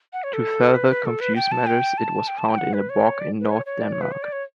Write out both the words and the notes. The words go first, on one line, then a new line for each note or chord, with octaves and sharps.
To further confuse matters, it was found in a bog in north Denmark.
F#5
C#5
A4
B4
B4
A4
B4
G5
A5
G5
A5
G5
A5
G5
F#5
B4
C#5
D5
B4
C#5
C#5
D5
C#5
B4
C#5
D5
C#5